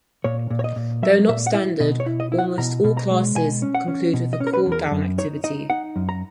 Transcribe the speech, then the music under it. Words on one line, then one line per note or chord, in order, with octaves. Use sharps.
Though not standard, almost all classes conclude with a cool-down activity.
A#2 C#5
A#2
C#5
D#5
A#2
F#3 E5
A#2 E5
F#5
E4 E5
B2 D#5
C#5
E4
D#5
E4
F#5
B2 A#5
B2
A#5
G#3
B2 G#5
C#4
F#5
C#4
B2
D#5
C#4
A#4
B4
E2
A#4
F#2
D#4 C#5
D#4 D#5
D#4 F#5
F#2
A#5